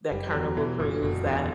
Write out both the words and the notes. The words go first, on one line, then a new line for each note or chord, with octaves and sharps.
that Carnival cruise that
F#1 G3
G3
E2 F#3
B2 E3
F#1 A#2
F#1 B2
E2 D3